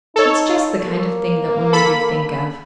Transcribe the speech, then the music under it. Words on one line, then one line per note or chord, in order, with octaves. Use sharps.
"It's just the kind of thing that women do think of."
D#4 A4 C#5
A#3
A4 B5